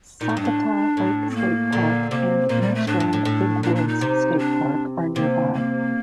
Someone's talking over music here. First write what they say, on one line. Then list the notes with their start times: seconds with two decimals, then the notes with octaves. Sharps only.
Sakatah Lake State Park and Nerstrand-Big Woods State Park are nearby.
0.21 A#2 D#4
0.29 A2
0.37 G2 D4
0.45 A2
0.97 A2
1.30 C4
1.35 A#3
1.72 A#2 D3
2.11 C3 A#3
2.49 A#2 A#3
2.62 G3
2.75 A3
2.87 A2 D4
3.00 G2
3.13 A2
3.25 A2
3.63 A#2 D4
3.76 D4
3.88 D#4
4.01 C3
4.39 D4
5.16 C3 A#3
5.54 A#3